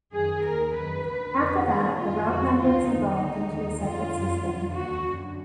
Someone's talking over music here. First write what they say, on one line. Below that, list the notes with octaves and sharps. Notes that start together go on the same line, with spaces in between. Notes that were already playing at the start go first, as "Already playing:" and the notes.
After that the route numbers evolved into a separate system.
F#2 D#3 G#4
D#2 D#3 A#4
F#2 D#3 B4
D2 D3
F2 D3
F#2 D#3 G#4
F#2 D#3 F4
F2 D3 F#4
D2 D3 F4
F#2 D#3 D#4
D2 D3
D#2 D#3
F2 D3 F4
F#2 D3
F2
D3
D#2 D3 F#4
F#2 D3